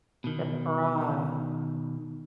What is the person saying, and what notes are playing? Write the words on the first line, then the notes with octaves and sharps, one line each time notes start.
The bra.
B2 D#3